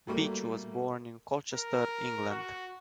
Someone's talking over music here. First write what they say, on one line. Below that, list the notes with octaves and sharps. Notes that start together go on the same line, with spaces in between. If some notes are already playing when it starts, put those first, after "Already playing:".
Beach was born in Colchester, England.
F#3 G3 A3 A#3
A#4
F#4